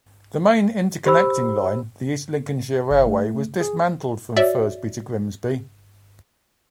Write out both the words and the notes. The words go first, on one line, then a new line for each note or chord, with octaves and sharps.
The main interconnecting line, the East Lincolnshire Railway, was dismantled from Firsby to Grimsby.
G4 C5 B5 E6
G1
A3
G#4
F#4 C#5 D5 E5